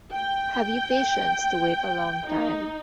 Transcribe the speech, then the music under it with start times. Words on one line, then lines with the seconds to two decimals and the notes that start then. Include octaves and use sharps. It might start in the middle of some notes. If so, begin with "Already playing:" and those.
Have you patience to wait a long time?
0.12 G5
2.26 D#4